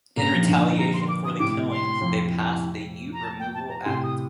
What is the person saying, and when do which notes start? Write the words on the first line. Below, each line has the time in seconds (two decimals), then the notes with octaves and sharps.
In retaliation for the killings, they passed the Ute Removal Act.
0.17 G2 A#2 A#5
0.33 F3
0.40 D#3
0.47 A#2 D3
0.78 A#5
0.94 C6
1.08 D6
1.25 D#6
1.39 A2 C3 D6
1.70 C6
2.01 F2
3.13 A#5
3.24 A5
3.39 G5
3.54 A5
3.69 A#5
3.85 A2 C3 C6
4.03 D#6